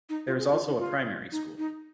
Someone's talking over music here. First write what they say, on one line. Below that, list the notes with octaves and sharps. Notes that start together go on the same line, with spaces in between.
There is also a primary school.
D#4
F4
G#4
F4
D#4
F4
D#4
D#4